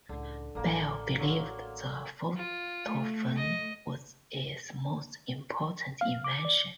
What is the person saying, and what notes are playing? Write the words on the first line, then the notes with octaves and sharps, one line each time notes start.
Bell believed the photophone was his most important invention.
C#2 A2 D3
A1 D3 A#3 D4
F#3 A#3 C6
F4
A3
D#5
F5
D6
D5